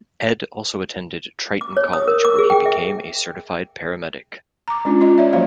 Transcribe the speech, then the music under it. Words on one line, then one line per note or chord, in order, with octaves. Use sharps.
Ed also attended Triton College where he became a certified paramedic.
D6
C#5
D#6
A#4
D6
G#4
G5
E5
A#5 D6
G#3 C#4 D4 F4
F4 D#5 A#5
C#5 D5 E5
F3 F#3 A#3 F#4 C#5 F5